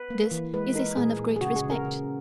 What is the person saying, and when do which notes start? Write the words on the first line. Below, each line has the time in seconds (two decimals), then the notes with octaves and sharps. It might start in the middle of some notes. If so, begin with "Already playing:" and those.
This is a sign of great respect.
Already playing: B4
0.10 A#3
0.31 E3
0.53 G#3 B4
0.75 D#4 A#4
0.97 A#2 G#4
1.19 A#2
1.36 G#4
1.41 C#3 F#4
1.56 G#4
1.64 C#3
1.71 A#4
1.86 C#3